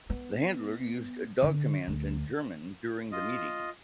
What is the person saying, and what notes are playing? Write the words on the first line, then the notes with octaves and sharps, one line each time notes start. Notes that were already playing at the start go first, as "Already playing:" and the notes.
The handler used dog commands in German during the meeting.
B3
D3
D2
F4 D#5